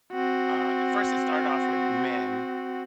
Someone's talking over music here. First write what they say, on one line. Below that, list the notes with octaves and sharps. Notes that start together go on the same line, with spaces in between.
uh at first it started off with men
C4 F#4